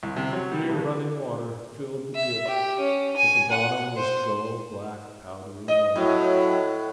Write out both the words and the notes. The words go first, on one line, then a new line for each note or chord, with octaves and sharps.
Clear running water filled the ditch, but the bottom was dull black, powdery mud.
C2
C3
F#3
G3
A#1
E5
G4
C#4
G#5
F#5
C5
D#5
A2 F#3 E4